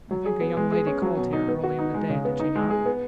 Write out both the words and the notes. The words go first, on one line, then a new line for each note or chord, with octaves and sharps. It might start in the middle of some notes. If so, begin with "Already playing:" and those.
"I think a young lady called here early in the day, did she not?"
F#3
G#4
B3
G#3
G#4
C#4
F#3
B2
D#4
B3
F#4
D#4
G#3
C#3
B3
D#4
G#3
G#4
B3